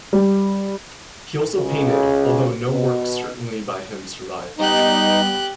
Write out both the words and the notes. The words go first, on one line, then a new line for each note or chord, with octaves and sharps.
He also painted, although no works certainly by him survive.
G3
C#2 C#3
B2
G3 B3 D#4 G4 F#6